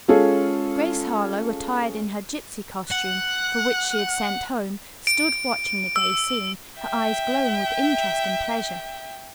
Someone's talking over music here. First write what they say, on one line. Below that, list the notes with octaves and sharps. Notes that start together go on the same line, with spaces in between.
Grace Harlowe, attired in her gypsy costume, for which she had sent home, stood watching the gay scene, her eyes glowing with interest and pleasure.
G#3 C#4 F4 G#4 A4
F#5 F#6
D7
E6
E5 G5